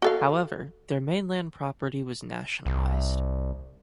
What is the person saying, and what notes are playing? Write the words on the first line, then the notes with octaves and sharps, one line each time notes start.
However, their mainland property was nationalized.
F#4 A4 F5
C2